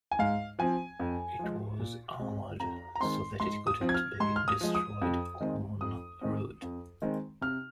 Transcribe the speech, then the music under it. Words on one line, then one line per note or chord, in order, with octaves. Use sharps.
It was armoured so that it couldn't be destroyed en route.
G#5
G#2 F5
F3 C4 G#5
F2
F3 G#3
A#2
G#3 C4
F2 A#5
A#5
D#3 G#3 C4 C6
G#2 C6
D#6
F3 C4
G#6
F6
G#2 C6
F6
D#6
F3 G#3
D#6
F2
D#3 G#3 C4
F2 D#6
D#3 G#3 C4
F2
D#3 G#3 C4
C3 F6